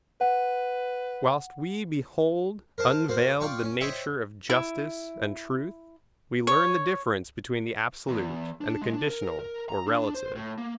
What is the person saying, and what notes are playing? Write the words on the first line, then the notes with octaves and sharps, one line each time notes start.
Whilst we behold unveiled the nature of Justice and Truth, we learn the difference between the absolute and the conditional or relative.
B4 F#5
A#4 C5 A5
A#3 F#4 C5
F4 D5 G5 C#6
C#4
C5 C#5 D#5 E5 G5
E4
C#5
E2
D4
G#3
D4
A#4
A#4
A#5
D4
C5
A2
A#3